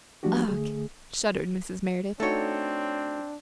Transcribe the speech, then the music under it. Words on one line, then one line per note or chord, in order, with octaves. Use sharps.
"Ugh!" shuddered Mrs. Merideth.
F3 G3 A3 D4 F#4 G4
D3 A3 G#4
A3 C4 D4 D#4 F#4 A4 C#5